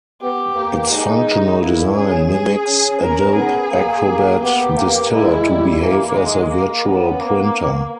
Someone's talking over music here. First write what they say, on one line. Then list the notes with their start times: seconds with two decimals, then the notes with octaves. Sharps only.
Its functional design mimics Adobe Acrobat Distiller to behave as a virtual printer.
0.21 B3 G4
0.56 A#3
0.90 G#3 D#4
1.61 A#3 E4
1.96 C#4 G#4
2.31 G#4
2.66 C#4
3.00 C#4 A#4
3.35 B3 G#4
3.70 A#3
4.06 A#3
4.40 B3 G4
4.75 A#3
5.10 G#3 E4
5.45 G3
5.80 E3 A#3
6.15 D#3 G#3
6.50 A#3
6.85 B3 C#4
7.20 A#3 B3